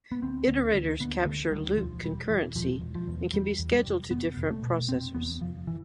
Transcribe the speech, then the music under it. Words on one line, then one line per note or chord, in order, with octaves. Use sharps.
Iterators capture loop concurrency and can be scheduled to different processors.
B3
D2 C4
D2
D2
D2 B3
D3 A3
D2 G3
E1 F3
E1 G3
E1 E3
E1 F3
E1
F3
E2
E2 G3
E2
G3
F1
F1 B3
F1
A3
B2
F1 C4
E2 B3
F1 F3
E3